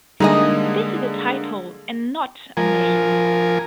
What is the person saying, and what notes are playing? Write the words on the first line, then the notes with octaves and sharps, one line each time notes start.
This is a title and not a name.
D3 G3 G#3 A#3 D#4 G#4 D#5
F3 A#4 G#5